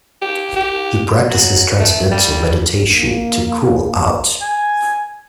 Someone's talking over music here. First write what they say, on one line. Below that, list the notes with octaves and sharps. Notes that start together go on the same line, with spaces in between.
He practices Transcendental Meditation, to "cool out".
G4
G4
F#3
A3
G3
A#3
G#5